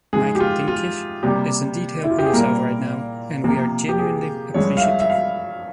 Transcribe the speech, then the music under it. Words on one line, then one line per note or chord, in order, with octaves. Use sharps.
Mike Dimkich is indeed helping us out right now, and we are genuinely appreciative.
G#2 F3 G#3 G#4
G4
F4
F4
C3 G3 A#3 G4
E4
F4
G4
G#4
A#2 G3 A#3 A#4
C3 F3 A#3
G4
G#4
G2 F3 G#3 C#5
F5
E5
E5
F5